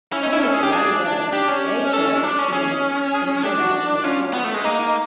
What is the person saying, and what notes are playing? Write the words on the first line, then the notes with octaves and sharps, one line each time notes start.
Almost right away they chose to make instrumental post-rock.
C#4 E4
D#4
E4
A4
G#4
G4
D4 G#4
D4 G4
C#4
A4
D4
C#4
C#4 G#4
G#4
D4 G4
F#4
C#4 F4
B3
A3
G#3
A#3 D#4
D#4